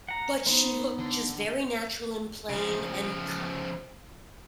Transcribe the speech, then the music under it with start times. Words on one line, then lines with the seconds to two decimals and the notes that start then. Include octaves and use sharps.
but she looked just very natural and plain and ki
0.09 F#5 A#5
0.47 B3 D#4 C5
0.98 D3
2.49 C#3 F3